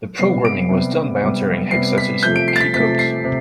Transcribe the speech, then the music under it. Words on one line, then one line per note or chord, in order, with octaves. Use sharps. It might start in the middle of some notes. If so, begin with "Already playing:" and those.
The programming was done by entering hexadecimal key codes.
C3 G3 B3 C7
D7
C3 G3 B3
C3 G3 B3
C3 G3 B3 C7
B6
C3 F3 A3 G6
D7
C7
A6
B6
C3 F3 A3 B6
C7
C3